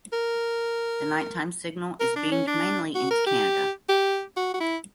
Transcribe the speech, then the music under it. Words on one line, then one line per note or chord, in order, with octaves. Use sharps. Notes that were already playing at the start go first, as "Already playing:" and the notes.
The nighttime signal is beamed mainly into Canada.
A#4
A#4
D4
C#4
D4
F#4
A#4
G4
G4
F#4
F#4
E4